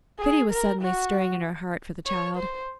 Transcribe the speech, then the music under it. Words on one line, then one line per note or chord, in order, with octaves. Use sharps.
Pity was suddenly stirring in her heart for the child.
G#4
A#4
F#4
C#5
C5